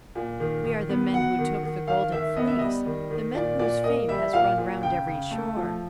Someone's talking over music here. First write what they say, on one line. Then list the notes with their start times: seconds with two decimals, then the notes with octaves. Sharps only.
We are the men who took the golden fleece, the men whose fame has run round every shore.
0.15 A#2
0.40 D#3
0.65 D#3
0.89 B3
1.14 F#3 F#5
1.39 D#3
1.63 D#3
1.87 D#3 F5
2.12 D#3 E5
2.36 B3 D#5
2.47 E5
2.59 G3 D#5
2.86 D#3
3.11 D#3
3.35 A#2 D5
3.59 A#2 D5
3.84 A#3 D#5
4.09 G3 E5
4.33 A#2 F5
4.58 A#2
4.82 C#3 G5
5.07 C#3
5.31 A3
5.56 F3